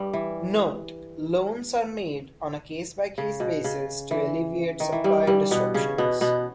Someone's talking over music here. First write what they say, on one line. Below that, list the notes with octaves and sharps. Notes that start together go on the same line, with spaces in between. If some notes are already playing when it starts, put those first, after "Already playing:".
Note: Loans are made on a case-by-case basis to alleviate supply disruptions.
Already playing: G2 G3
E3
C#3
B2
C#3
E3
D#3
E3
G2 G3
G2 G3
B2 B3
C#3 C#4
B2 B3
B2 B3